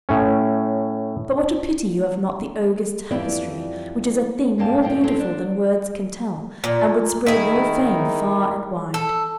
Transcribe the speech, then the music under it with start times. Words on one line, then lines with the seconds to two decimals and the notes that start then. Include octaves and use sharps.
But what a pity you have not the ogre's tapestry, which is a thing more beautiful than words can tell, and would spread your fame far and wide!
0.09 A2 C#4
3.11 F2 E3 G3 D5 E5
4.58 F#2 G3 A#3 G4 A5
4.82 F2 A2 C3 F3 C4
5.04 F#3 C4 C#4 A4 C5 C#5
5.19 D4
6.64 A#2
7.26 D#3 E4 G#4
8.94 A4